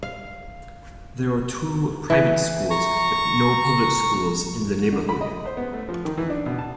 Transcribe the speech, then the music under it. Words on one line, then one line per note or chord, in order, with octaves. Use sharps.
There are two private schools, but no public schools in the neighborhood.
F5
E3
A#5 C#6
D3
B5
D#5
C5
B3
A3
F3
D#3
E3
D4
B2
A5